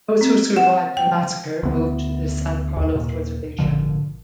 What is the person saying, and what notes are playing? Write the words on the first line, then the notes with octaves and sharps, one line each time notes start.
Those who survived the massacre moved to the San Carlos Reservation.
C4
F#5
G5
D2 B3
D#2
D#2 A#2
G#1 A#2 D3 F3